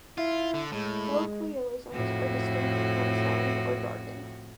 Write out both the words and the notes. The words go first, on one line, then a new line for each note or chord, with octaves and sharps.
Colloquialisms are distinct from slang or jargon.
E4 F4
D3
A2 G#3
F2 A2 F#4